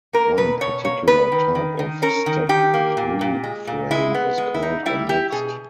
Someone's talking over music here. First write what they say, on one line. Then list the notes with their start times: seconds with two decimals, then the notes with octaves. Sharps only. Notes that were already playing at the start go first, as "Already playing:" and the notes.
One particular type of step-through frame is called a mixte.
0.13 A#3 A#4
0.37 B2 B4
0.61 B2 C#5
0.84 A#3 C#5
1.08 B3 B4
1.32 D#3
1.55 D#3
1.79 D#3
2.02 C#4 A#4
2.26 D#3
2.49 D#3 G4
2.74 A#3
2.97 A#2
3.21 A#2
3.44 G#3
3.67 A#2
3.91 G#3 E4
4.14 B3
4.38 G#3
4.54 E4
4.62 D#4
4.86 G3 E4
5.09 E4 G4
5.32 B2 G#4